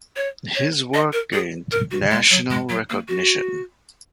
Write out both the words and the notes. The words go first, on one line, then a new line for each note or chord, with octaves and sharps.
His work gained national recognition.
C#5
C#5
D#5
A#4
G#4
A#4
F#4
G#3
F#3
G#3
F#3
A#3
F#4